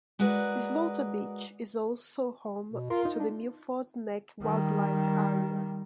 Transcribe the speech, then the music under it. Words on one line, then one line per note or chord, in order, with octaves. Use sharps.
Slaughter Beach is also home to the Milford Neck Wildlife Area.
G#3 F#4 A#4 B4 D5
B2
F4 A#4 C6
D#4
D4
D#3 G3